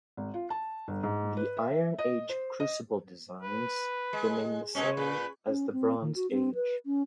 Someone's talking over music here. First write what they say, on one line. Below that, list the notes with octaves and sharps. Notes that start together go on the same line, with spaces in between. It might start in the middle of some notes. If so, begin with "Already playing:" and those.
The Iron Age crucible designs remain the same as the Bronze Age.
G#1
F4
A5
G1
G#2
B4
E5
D#5
C5
D#5
B4
G#3
B2 G#3 C#4
A#2 B4
C#4
C4
D#3
F#4
C4
B4
C#4